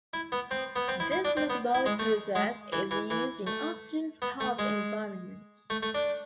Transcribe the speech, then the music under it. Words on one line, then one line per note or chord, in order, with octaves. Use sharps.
This metabolic process is used in oxygen starved environments.
E4
B3
C4
B3
C4
E4
E4
D4
C4
B3
E4
G#3
A3
G#3
E3
E3
E3
A3
B3
A3
G#3
A3
A3
D4